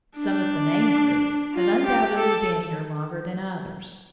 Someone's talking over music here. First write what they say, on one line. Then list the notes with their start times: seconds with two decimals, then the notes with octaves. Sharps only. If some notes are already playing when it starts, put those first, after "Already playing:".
Some of the main groups have undoubtedly been here longer than others.
0.17 D4
1.56 F4
1.86 G4
2.18 A4